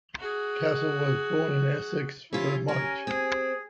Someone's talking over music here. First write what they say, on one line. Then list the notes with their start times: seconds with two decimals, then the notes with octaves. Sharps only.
Castle was born in Essex, Vermont.
0.19 F#4 G#4
2.33 C#4 E4 F4 G4
2.68 C#4 A#4 G#5
3.07 C4 G#4